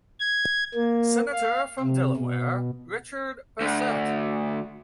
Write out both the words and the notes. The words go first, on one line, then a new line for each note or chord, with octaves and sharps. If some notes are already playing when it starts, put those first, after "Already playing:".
Senator from Delaware, Richard Bassett.
G#6
A#3
F5
C3
B2
D2